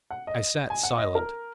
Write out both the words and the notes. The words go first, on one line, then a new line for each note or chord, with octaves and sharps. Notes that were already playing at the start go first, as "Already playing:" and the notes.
I sat silent.
F#5
D#5
G#5
F#5
D#5
A#4